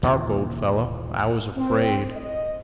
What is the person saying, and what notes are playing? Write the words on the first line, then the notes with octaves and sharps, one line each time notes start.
"Park, old fellow, I was afraid."
D#2 A#2 C#3 E3
C4
D#5